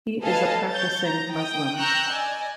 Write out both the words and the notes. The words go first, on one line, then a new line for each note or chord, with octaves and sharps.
He is a practising Muslim.
A4 B4 D#5 F5 G#5 A5
C#5 G6 A6
A#5
G5 D#6
G5 A#5 C#6 E6 F#6 G6
D5 D#5 G#5